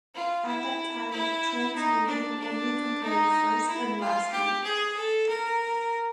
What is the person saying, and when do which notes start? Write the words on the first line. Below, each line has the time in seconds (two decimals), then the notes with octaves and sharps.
At that time, TransUnion only compared first and last names.
0.15 F4
0.47 E4
1.11 E4
1.76 D#4
2.07 D4
2.39 D4
3.03 D#4
3.68 E4
4.00 F4
4.32 G4
4.64 G#4
4.96 A4
5.29 A#4